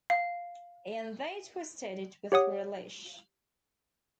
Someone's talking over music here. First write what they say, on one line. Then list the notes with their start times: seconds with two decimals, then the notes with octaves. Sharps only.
And they twisted it with relish.
0.10 F5
2.32 G4 C#5 F#5 D#6